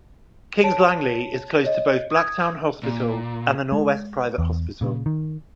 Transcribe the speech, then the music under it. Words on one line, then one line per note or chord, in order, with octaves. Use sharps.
Kings Langley is close to both Blacktown Hospital and the Norwest Private Hospital.
C#5 A5 D7
C#5 D#5
D#6 G#6
A#2
G#3
E2
A#2 C#3
D#3